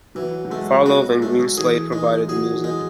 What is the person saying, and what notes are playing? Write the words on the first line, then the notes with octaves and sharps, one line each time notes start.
Farlowe and Greenslade provided the music.
E3 F#3
F#3
G#3 A3
F#3 F#4
G#3
A3
F#3
E3 G#4
E3 G#3
F#3 G#4
E3
G#3